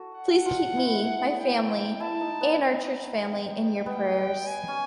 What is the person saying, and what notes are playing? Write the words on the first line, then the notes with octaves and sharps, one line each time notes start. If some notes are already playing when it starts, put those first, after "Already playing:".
Please keep me, my family and our church family in your prayers.
Already playing: F#4 A4
F#5
F4
E4
G5
E4 A5
D#4
B3
G5
B3 G5
G#5
C#4